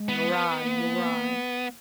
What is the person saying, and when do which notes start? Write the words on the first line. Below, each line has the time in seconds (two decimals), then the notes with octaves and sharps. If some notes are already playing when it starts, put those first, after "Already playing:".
"Nor I,--nor I."
Already playing: G#3
0.09 B3
0.62 A#3